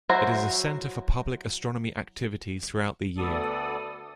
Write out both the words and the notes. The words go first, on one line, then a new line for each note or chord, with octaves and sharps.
It is a center for public astronomy activities throughout the year.
F#3 E4 F#4 C5 A#5
D2 B3 A4 D5 D#6